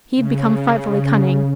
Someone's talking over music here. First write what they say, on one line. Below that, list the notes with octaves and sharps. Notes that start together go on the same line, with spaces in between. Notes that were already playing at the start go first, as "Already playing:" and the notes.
He had become frightfully cunning.
C#3